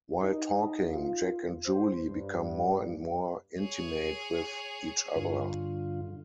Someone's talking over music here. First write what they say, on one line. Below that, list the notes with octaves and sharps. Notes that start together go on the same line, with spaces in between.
While talking, Jack and Julie become more and more intimate with each other.
D#4
F4
C5
G2
G#4 C#5
G2 D3 F4